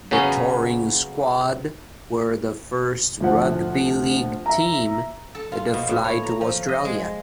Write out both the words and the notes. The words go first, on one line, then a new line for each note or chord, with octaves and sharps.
The touring squad were the first rugby league team to fly to Australia.
C#3 F#3 B3 C#4
D2 F3 F#5
E5 A#5
A4
F4
B2
A2
C#5
A#5
F3
D#5
G#3